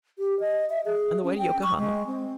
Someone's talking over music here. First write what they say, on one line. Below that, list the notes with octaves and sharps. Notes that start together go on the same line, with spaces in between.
"On the way to Yokohama?"
G4
D#5
E5
G#4
C#4
G5
C#6
G#3
C4